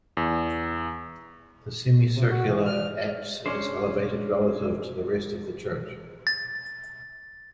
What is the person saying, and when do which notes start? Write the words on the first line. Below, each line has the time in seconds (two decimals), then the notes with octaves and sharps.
The semicircular apse is elevated relative to the rest of the church.
0.17 E2
2.15 C3
2.31 F#4
2.47 E3
2.66 F6
3.46 G#3 C#4 D4 C5
6.27 A6